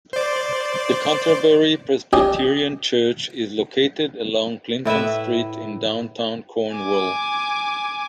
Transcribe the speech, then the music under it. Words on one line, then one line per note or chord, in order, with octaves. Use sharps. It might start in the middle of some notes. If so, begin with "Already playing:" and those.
The "Canterbury Presbyterian Church" is located along Clinton Street in downtown Cornwall.
C5 D5
D4 G4 D#5 G#5
A2 E4 B4 E5
G#5 D6